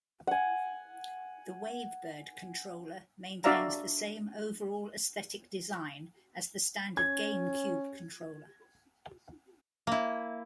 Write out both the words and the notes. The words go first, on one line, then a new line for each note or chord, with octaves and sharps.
The WaveBird controller maintains the same overall aesthetic design as the standard GameCube controller.
F#5 G#5
D4 F#4 D5 E5 F5 A#5
C#4 G#6
A#3 E4